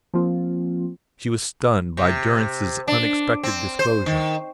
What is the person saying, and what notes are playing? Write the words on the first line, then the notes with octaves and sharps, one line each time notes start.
She was stunned by Durrance's unexpected disclosure.
F3 A#3 C4 F4
C3
D4
C4
C5
D#3